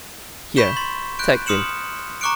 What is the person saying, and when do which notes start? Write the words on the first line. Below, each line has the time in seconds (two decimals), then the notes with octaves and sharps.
Here, take them!
0.56 B5 C#6 G6 B6 E7 G7
0.77 C6 A6
1.19 F#6 G6 D7
1.46 C6 D#6 F6 C#7 E7 F#7
2.21 A#5 C#6 D6 F#6 C#7 D7